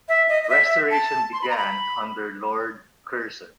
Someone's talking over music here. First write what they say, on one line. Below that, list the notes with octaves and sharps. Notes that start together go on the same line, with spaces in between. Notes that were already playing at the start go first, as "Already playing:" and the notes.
Restoration began under Lord Curzon.
E5
D#5
D#5
E5
A5
C6
B5
A#5
B5